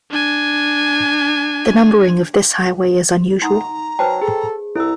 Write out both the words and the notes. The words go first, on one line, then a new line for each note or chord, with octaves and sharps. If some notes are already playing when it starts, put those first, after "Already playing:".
The numbering of this highway is unusual.
D4 G#5
D#4 F#5 A#5 C6 D#6
F#3 B4 C5 G5 A5
G#4 A4
C2 E4 A4 A#5 E6